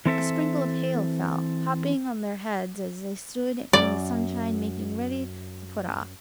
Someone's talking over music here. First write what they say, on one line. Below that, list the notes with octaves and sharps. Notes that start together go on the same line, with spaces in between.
A sprinkle of hail fell, hopping on their heads as they stood in the sunshine making ready to put off.
E3 C4 A4 E5
F#2 D5